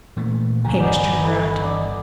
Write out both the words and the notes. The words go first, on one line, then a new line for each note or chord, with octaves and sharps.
Hamish turned round.
A#2 E3 A3
C#2 D3 F3 G#5 A#5
G1 G2 D3 B3 D#4 D5
D#4 A4 B5
D4 D#5 D#6